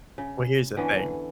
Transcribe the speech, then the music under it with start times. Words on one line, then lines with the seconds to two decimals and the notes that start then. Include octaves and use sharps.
Well, here's the thing
0.18 C#3
0.77 D3 E3 B3 C#4
0.93 A4